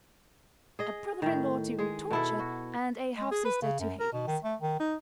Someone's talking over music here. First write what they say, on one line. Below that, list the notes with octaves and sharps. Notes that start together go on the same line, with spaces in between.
A brother-in-law to Torture and a half-sister to Hades.
G#4 D#5
A2 D#3
G#3 G#4
B2 E4 A4
F#4
G#3
G#4
B4
C#3
F#2
A#4
B2
D#3
A3
D#3
D#4